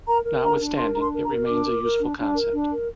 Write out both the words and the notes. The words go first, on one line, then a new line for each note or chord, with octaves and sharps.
Notwithstanding, it remains a useful concept.
A#4 A#5
A#4
D4 A#5
D4
A#4 C6
D4 A#5
C6
A#4
A#5
A#4
D4 D6
A#4
A#4
D4
D4
A#4
D4
A#4